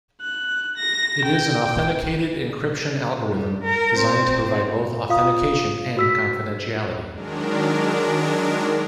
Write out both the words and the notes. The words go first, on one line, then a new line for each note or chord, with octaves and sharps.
It is an authenticated encryption algorithm designed to provide both authentication and confidentiality.
F#6
A#6
G5
G3
A#4
C4
F4 F5 D#6
F#4 E6 B6
D#3 F#3 G#3 D4 A#4